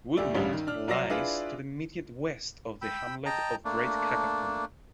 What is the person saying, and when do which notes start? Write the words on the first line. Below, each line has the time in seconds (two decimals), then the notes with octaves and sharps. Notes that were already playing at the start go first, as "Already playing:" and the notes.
Woodmont lies to the immediate west of the hamlet of Great Cacapon.
0.17 D2 G3 A3 D5 E6
0.35 A1 G2 C#3 G3
0.53 D#3
0.67 D4 F6
0.87 C2 F#3 D5 E6 A#6 C7
1.10 D4 E4 F4 G#4 B4 D5
2.82 G5 B5 E6
3.26 D#5 G5 A5 A#5
3.65 A3 A#3 D4